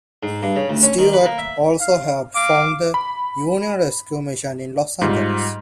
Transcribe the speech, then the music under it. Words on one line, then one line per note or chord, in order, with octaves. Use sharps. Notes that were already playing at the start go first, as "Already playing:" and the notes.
Stewart also helped found the Union Rescue Mission in Los Angeles.
G#2
G2
C#3
D2
C#4
D#3
B4
A#3
E5
F5
F5 D6
B5
G#2 G3 F4